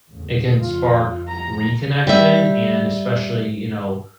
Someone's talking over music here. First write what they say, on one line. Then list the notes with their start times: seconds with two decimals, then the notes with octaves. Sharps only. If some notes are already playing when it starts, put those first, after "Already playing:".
it can spark reconnection and especially, you know,
0.11 E2 A2 C#3
0.61 F2 F4
1.28 A#5
2.07 G3 E5